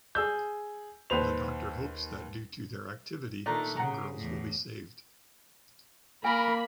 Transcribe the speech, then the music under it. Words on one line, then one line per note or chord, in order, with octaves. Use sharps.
The doctor hopes that due to their activity some girls will be saved.
G#4 E6 G6
D#2 B4 C5 F7
A#2 D#3 A3 D4 A#5
C#3 F#5 A#5
E2 A2
A#3 A#4 G#5 B5